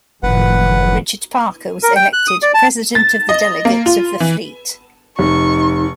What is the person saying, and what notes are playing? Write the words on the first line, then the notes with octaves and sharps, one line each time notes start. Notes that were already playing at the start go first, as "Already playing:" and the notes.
Richard Parker was elected "President of the Delegates of the Fleet".
F#1 A2 D#3 F3 B4 F#5
A#4
G5
F#6
D#6
D5
A5
A6
D#5
A#3
F4
E3
F1 D#4 C#6